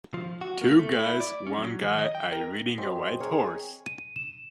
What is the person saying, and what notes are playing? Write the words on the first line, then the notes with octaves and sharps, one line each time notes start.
Two guys one guy i ridding a white horse.
F3
F#4
A#3
A3
E4
D5
C#4
F#3
D#3
D#5
G5
A#4
F#2 C4 C5 D#5
G#4 A#4 C#5
D#7
E7